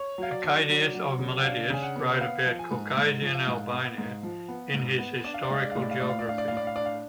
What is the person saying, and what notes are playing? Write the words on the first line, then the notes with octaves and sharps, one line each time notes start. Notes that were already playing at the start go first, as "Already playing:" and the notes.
Hecataeus of Miletus wrote about Caucasian Albania in his "Historical Geography".
Already playing: C#5
F#3 F5
D5
D4
F#3
F#3
C#3
F#5
D4 F5
C#3 G#5
F#5
B3
B3 F5
F3
G#5
G#2
G#2
F3
F5
G#2
B3
G#2
F3
B3
G#2
B3
D4 D5
F5
D5
G#3 F5
D5
A2 F5
D5
F5
A2 D5
F5
D5
D4 F5
D5
A2 F5
D5
F5
D4 D5
F5